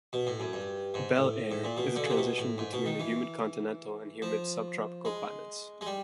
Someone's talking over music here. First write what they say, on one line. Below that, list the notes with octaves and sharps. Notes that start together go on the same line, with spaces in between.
Bel Air is a transition between the humid continental and humid subtropical climates.
B2
A2
F#2
G2
G#2
A2
A2
A#2
B2
D3
C#3
C3
B2
A2
G#2
B2
D#3
E3
F3
G#3
G#3
G3